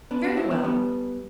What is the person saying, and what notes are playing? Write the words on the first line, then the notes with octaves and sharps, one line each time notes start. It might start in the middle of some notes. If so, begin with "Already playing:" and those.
Very well.
B3 D4
B3 D4
C4 E4
B3 D4
G3 B3